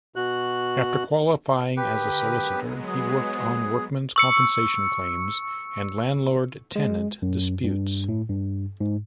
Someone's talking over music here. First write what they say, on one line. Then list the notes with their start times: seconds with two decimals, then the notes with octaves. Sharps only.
After qualifying as a solicitor he worked on workmen's compensation claims and landlord-tenant disputes.
0.16 B2 F#4 F#6
1.77 D3 G4 A#4 B4 D#6
2.30 F#3 G#3 B3
2.87 G#4
4.16 C#6 E6 C#7
6.76 G#3
7.22 F#2
7.64 G2
8.09 A2
8.29 G2
8.81 G#2